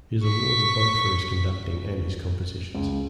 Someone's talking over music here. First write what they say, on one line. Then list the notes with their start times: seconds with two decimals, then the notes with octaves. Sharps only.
His awards are both for his conducting and his compositions.
0.24 C#6 B6
2.75 C#2